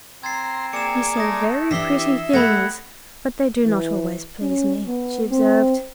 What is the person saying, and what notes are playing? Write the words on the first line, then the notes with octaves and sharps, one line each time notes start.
"You say very pretty things; but they do not always please me," she observed.
C4 A#5 C6 G#6 A6 C7
A#3 G#4 D5 C#7 E7
A3 D#6 A#6
E3 D4 G4 E5 B6 C7 G7
A3 G4 D5 F#5 B5 G#6 A#6
E3
C#4
B3
C4